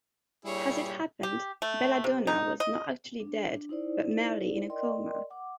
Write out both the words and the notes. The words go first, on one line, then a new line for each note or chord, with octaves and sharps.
As it happened, Bella Donna was not actually dead, but merely in a coma.
G2 A#2 G3 E4 G#4 C#5
G4
A3
C3
D#4
D#5
D4
D#4 E4 C5 D5
A#4 D5 D#5 G5 C6
F#5 D6